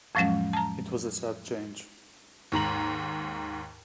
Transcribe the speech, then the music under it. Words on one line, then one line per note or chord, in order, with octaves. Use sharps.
It was a sad change.
F2 A2 F3 F#3 G#3 C#4
A5 A#5
D#2 G#2 A#5 F#7